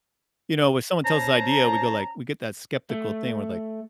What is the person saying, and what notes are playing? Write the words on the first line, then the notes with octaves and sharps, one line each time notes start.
you know, when someone tells us idea, we go, like we get that skeptical thing where, like,
C#4 C5 A5 A#5
A3